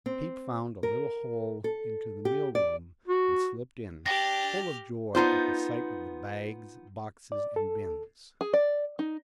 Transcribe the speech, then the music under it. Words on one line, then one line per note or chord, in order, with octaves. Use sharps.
Peep found a little hole into the meal-room, and slipped in, full of joy at the sight of the bags, boxes, and bins.
C4
A#4
A4
G4
D5
F#4
D4 G4 G5 F6 A#6
B3 D#4 F4 C5
D5
A4
G#4
D5
D#4